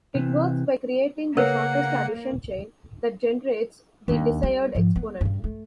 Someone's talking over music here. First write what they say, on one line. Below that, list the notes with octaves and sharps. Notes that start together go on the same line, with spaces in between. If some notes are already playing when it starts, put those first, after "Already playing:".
It works by creating the shortest addition chain that generates the desired exponent.
C3 E3
C#3 A#3 A#4 B4 C#5 F#5
D#2 D4
G3
G#2 F3
B3
G2 C#3
A3